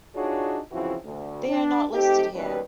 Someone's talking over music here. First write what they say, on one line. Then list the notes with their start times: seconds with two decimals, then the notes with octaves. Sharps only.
They are not listed here.
0.15 D4 D#4 F4 F#4 G#4 C#5
0.71 C#3 E3 F3 C4 E4 F#4
1.04 D2
1.48 D4
1.93 A3 C4 D#4 G4
2.34 D#2 B2 G3 C#4 B4